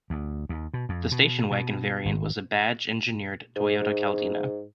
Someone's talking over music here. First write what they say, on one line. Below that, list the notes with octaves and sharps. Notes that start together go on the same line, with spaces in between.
The station wagon variant was a badge-engineered Toyota Caldina.
D2
D#2
B2
F2
B2
B2
G#1
G#2